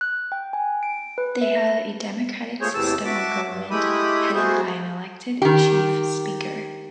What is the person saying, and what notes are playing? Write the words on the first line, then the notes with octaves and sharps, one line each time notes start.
They have a democratic system of government, headed by an elected Chief Speaker.
F#6
G5
G#5
D7
B4
E5
A#6
F3 A3 G#4 C5 C#5
E2 A2 C3 E3 A5 E6
F#4 E5 A5 D6
G2
G#3 A3 E4 G4 B5 D#6
A3 B3 F#4 G#4 C5
D#3 G4